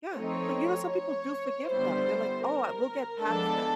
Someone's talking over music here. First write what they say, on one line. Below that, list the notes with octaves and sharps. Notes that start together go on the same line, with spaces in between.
Yeah. But, you know, some people do forgive them. They're like, "Oh, uh, we'll get past this."
F3 A3 C4 D#4 C#5
C#5
D3 G3 B3 E4 C5
A#4
F3 G#3 B3 D4 A4